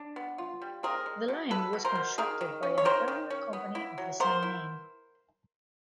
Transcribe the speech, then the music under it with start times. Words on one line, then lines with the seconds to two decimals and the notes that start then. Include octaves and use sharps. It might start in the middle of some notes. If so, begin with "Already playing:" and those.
The line was constructed by an earlier company of the same name.
Already playing: D4
0.16 B3
0.38 F4
0.62 G3
0.83 C4 G#4 A#4
1.06 G#3
1.28 B2
1.51 G#3 A4 B4
1.73 B2
1.85 A#4 C5
1.96 B2
2.18 D#3 G#4 A#4
2.41 D#3
2.63 C#4
2.78 C#5
2.85 D#3 A#4 C5
3.08 D#3
3.30 C#4
3.53 B3
3.75 E4
3.98 F#3
4.20 B3 A#4 C5
4.43 E4